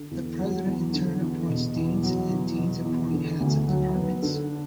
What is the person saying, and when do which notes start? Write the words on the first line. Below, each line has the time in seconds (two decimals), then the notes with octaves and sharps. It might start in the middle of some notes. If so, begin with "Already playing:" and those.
The president in turn appoints deans, and deans appoint heads of departments.
Already playing: D3
0.11 E2
0.39 F#3
0.66 E2
0.93 D3
1.21 E2
1.49 B2
1.76 E2
2.03 F#3
2.30 E2
2.58 B2
2.85 E2
3.13 D3
3.40 D2
3.68 F#3
3.95 B3
4.23 D3